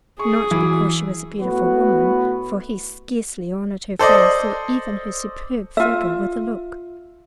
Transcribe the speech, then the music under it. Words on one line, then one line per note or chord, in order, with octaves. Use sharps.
Not because she was a beautiful woman, for he scarcely honored her face or even her superb figure with a look.
G#4 C#6
E3 F#3
A2 B3 F#4 B4
A4 C5 D5 D#5
F4 E5